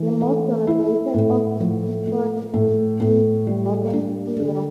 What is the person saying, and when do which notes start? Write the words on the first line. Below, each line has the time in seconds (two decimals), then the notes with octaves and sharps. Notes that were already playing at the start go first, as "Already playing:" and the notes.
The most celebrated of these sanctuaries is in Northern Syria.
Already playing: E3
0.21 A3
0.67 E4
1.14 A2
1.60 F3
2.07 A3
2.54 A2
3.00 A2
3.47 G3
3.93 D4
4.40 D3